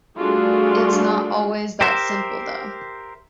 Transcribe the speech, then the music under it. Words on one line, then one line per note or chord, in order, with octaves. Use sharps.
It's not always that simple, though.
G3 A3 D4 F4 F#4 G#4
G4 A#4 C5 E5